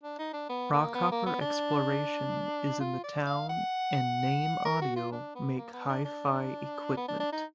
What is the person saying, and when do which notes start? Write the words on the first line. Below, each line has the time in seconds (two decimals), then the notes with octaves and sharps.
Rockhopper Exploration is in the town and Naim Audio make hi-fi equipment.
0.03 D4
0.19 D#4
0.33 D4
0.49 B3
0.73 A#3
0.95 B3
1.12 A#3
1.26 B3
1.41 D4
2.80 F4
3.04 D5
3.26 F5
3.50 F#5
4.65 A#4
4.82 F#4
4.96 F4
5.12 D4
5.36 B3
5.58 A#3
5.73 B3
5.90 D4
6.05 D4
6.97 B3
7.08 D4
7.20 D4
7.32 D#4